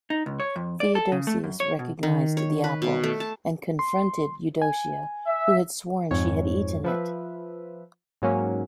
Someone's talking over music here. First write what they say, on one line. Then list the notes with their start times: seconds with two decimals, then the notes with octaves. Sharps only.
Theodosius recognized the apple and confronted Eudocia who had sworn she had eaten it.
0.10 D#4
0.26 C#2
0.40 C#5
0.56 F2
0.80 D5
0.95 A4
1.12 C#3
1.27 A3
1.44 F#2
1.60 C#5
1.79 B2
2.03 D#3
2.37 C#5
2.64 B4
2.82 B2
3.04 A3
3.20 A5
3.79 C6
4.62 G#5
5.26 E5
6.11 F2 G#2 C#5
6.84 F3 B4 E5
8.22 G#2 F#3 A#3 C#4